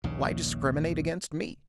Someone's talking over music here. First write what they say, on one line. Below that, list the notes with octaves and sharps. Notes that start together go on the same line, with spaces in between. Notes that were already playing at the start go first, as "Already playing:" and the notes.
Why discriminate against me?
A#1 D#2 C#3